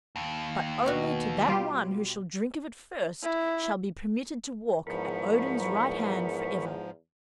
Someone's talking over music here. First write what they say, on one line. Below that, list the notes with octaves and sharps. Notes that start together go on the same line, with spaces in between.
But only to that one who shall drink of it first shall be permitted to walk at Odin's right hand forever.'
D#2
B2 F#4
G3 F4 G4
E4
E2 G#2 F3 A#4 B5 C#6